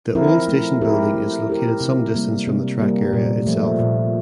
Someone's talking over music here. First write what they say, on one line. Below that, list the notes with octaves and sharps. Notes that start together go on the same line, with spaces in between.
The old station building is located some distance from the track area itself.
F3 C4 E4 A#4
A3
E4 G4 A#4
A3
E4 G4 A#4
C3
G3 A#3
C3
G3 A#3
A#2
F3 A3
A#2